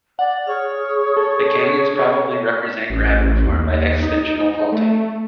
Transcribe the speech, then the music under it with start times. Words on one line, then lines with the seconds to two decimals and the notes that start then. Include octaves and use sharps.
The canyons probably represent graben formed by extensional faulting.
0.19 D5 F#5
0.47 G#4 C#5 F6
1.17 A4
2.90 A1
3.47 D#2
4.02 D#4
4.72 A3